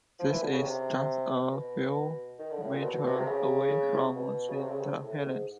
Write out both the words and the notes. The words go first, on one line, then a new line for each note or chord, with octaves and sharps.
This is just a few metres away from Saint Helen's.
F3
E3
D3
C#3
C3
B2
D#3
D3
A2
A#2
B2
B2
B2
C3
C#3
B2
C#3
C3
C#3
C3
A2
G#2